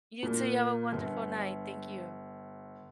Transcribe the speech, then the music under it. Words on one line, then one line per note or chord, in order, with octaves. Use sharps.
You too. You have a wonderful night. Thank you.
A#2
G1